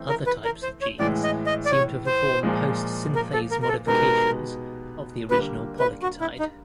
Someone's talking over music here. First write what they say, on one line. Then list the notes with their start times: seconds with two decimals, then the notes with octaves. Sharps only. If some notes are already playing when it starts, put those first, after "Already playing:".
Other types of genes seem to perform post-synthase modifications of the original polyketide.
Already playing: E3 A3 C4
0.09 A#4
0.27 B4
0.45 A#4
0.63 C5
0.82 C#5
0.99 A2 E3 G#3 D5
1.23 D#5
1.47 D#5
1.66 D5
1.72 C#5
2.07 C5
2.43 A#2 F3 G#3
3.15 A#4
3.33 A4
3.51 A#4
3.63 A#4
3.69 A4
3.87 B2 G#3 B3 D#4 G4 A#4
5.31 D3 G3 A#3 B4
5.79 B4
6.02 F#4
6.21 E4
6.39 D#4